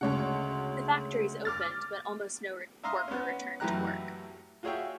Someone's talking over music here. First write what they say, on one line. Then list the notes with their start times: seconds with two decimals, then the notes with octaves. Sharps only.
The factories opened but almost no worker returned to work.
0.01 D2 C#3 G#3 C#5 F#5
1.45 D6 F6 A6
2.84 E5 F5 A#5 C6 D#6 F6
3.08 B3 C#4
3.60 F#2 A2 E3 G4 A#5 F#6
4.63 F4 F#4 G#4 C#5 E5 G5